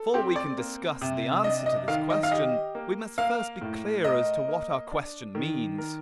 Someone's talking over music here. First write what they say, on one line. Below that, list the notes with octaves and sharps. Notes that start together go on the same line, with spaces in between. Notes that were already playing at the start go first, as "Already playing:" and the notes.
Before we can discuss the answer to this question, we must first be clear as to what our question means.
Already playing: A4
C4 G4
D5
A#3
C3
D4 D#5
D#5
D#3 F5
D#5
F5
G4 D#5
A#3
A#3 F5
A2
A#4 D#5
A#3
D4
D#3
A#4